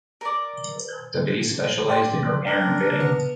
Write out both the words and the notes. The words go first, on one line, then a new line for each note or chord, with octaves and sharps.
The base specialised in repair and fitting.
A#4 D5
G4 D5 C6
D4 A#4
B3